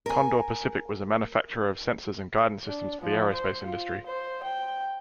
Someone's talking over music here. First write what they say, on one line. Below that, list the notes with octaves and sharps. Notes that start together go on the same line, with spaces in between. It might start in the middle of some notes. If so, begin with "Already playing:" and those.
Condor Pacific was a manufacturer of sensors and guidance systems for the aerospace industry.
A#4 G#5
D4
F3
C5
F4
C5
G5